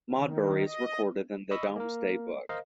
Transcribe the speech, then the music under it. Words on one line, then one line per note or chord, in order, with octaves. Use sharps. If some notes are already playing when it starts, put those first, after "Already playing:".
Modbury is recorded in the Domesday Book.
D#3
D#5
D#5 B5 C#6 D#6 E6
A#3 A#4
A#4 C5 D#5 F5